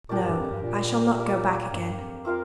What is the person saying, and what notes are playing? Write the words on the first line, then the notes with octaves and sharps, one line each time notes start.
"No; I shall not go back again."
A#2 D4 G4 A#4 D5
G2
F2
G2
A#2
A#3 G4 A#4
G2
F2
C4 F4 A#4 F5